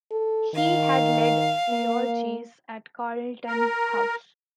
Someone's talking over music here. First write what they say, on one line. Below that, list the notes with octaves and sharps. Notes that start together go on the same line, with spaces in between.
He had led the orgies at Carlton House.
A4
D#3 F5
A#3
A#4